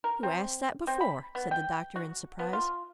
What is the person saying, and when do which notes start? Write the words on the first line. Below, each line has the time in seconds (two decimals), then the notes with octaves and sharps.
"You asked that before," said the doctor in surprise.
0.04 A#4
0.23 C4
0.87 C4
1.01 B5
1.35 B3
1.51 G5
1.96 F#4
2.39 B3
2.53 F4